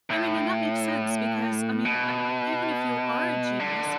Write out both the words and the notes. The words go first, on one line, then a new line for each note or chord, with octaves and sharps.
I mean and that makes sense because, I mean, a even if you are a genius,
A2
B2
D3